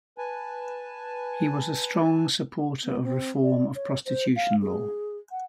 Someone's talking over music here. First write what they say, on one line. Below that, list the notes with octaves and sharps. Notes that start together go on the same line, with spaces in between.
He was a strong supporter of reform of prostitution law.
B4 G#5 A5
B3
C4
D5
C#5
C5
F5
G#4
F#5